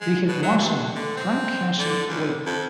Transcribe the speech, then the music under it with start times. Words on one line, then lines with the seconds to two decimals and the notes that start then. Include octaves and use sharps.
They had one son, Frank Hanson Waite.
0.01 G#3
0.28 B2
0.43 F#3
0.57 G2
0.95 D3
1.17 C4
1.79 D3
2.08 C#2
2.47 F2